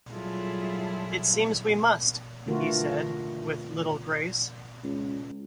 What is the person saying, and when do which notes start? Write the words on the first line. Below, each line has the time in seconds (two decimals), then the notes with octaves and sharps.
"It seems we 'must,'" he said, with little grace.
0.12 F#3 G3 E4 F4 G#4 A4
2.46 D3 E3 A3 F4 F#4 A#4
4.84 C#2